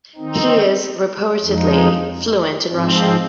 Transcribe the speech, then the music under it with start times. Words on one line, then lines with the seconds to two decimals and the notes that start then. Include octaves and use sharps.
He is reportedly fluent in Russian.
0.16 D#3 C4 D#4
1.44 F2 F3 G#3 D#4
2.71 G#2 F3 C4